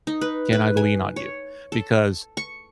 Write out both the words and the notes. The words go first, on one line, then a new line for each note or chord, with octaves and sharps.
Can I lean on you? Because
D#4
B4
B4
G#5
C#5
A4
C#6